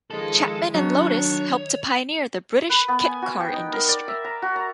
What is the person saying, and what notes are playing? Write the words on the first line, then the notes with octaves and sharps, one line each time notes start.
Chapman and Lotus helped to pioneer the British kit car industry.
D#3 F3 G#3 A4
D#3 F#3 D4 C#5
B4
B3
G#5
F#4
G5
D#4
A#4
D5
E5
A#5
F#4
A#5